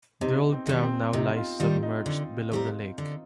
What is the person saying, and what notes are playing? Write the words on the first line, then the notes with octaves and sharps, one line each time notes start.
The old town now lies submerged below the lake.
C3 D#4
C4
D#3 G3
C4
C3 D#4
F4
D#3 G3 F4
D#4
D3
G3 C4 G4 A#4
D3